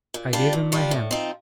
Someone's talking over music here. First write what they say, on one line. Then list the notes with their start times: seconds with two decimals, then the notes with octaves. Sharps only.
I gave him my hand.
0.14 A#2
0.33 G3 D4 F4
0.53 A#2
0.72 G3 D4 F4
0.91 A2
1.11 F3 C4 D#4